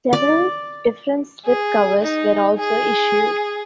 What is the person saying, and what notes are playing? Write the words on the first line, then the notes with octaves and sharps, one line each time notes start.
Several different slip covers were also issued.
D5
G#4
D#4
G#4